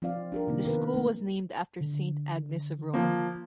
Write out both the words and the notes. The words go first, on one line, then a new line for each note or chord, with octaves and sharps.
The school was named after Saint Agnes of Rome.
F3 C4 F4 D5 F5
D4 G4 A#4
C3 D#3 A#3
B2 D#3 A#4 B4
A3 A#3
D3
F3 A#3